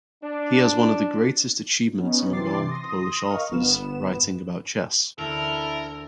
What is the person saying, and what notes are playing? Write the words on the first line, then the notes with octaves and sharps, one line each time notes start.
He has one of the greatest achievements among all Polish authors writing about chess.
D4
B3 C#4 D#4
C3 E3 C6 D6 A6 C7
C6 D#6 A#6
A#4 D#5 F5 C#6 F6
G1 B3 E7
D2 E4 A4 A#4